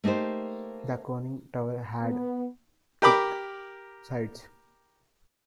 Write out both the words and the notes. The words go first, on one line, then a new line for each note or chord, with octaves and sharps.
The conning tower had thick sides.
A3 A#3 D#4 G4 C5
B3
G4 A#4 B5 D6